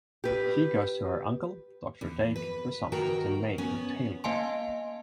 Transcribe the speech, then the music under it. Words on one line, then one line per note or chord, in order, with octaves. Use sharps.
She goes to her uncle, Doctor Dake, for something to make her tail grow.
G4 B4
E2
B4
D#3 F#4 A#4 G5 A#5
B3 C#4
A#3 D#5 F5 G#5 A5 C6